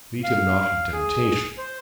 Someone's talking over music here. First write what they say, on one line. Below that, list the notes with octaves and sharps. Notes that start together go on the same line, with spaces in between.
Lead him not into temptation.
F5
G#4
C5